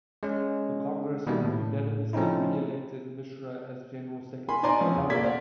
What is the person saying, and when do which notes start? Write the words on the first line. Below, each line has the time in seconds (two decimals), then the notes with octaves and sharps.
The congress unanimously re-elected Mishra as General Secretary.
0.23 G#3 C#4
1.27 B2 D#3 G3 A3 A#3
1.44 A2
2.13 F3 A3 C4 C#4 D#4 E4
4.49 A#4 G#5 B5 C6
4.63 D#4 C5 D5 G#5 A#5 C6
4.81 E3 F3 C4 C#4
4.94 E2 C#3
5.10 B2 A#3 A4 D5 G#6 B6
5.23 C5 D5 F5 F#5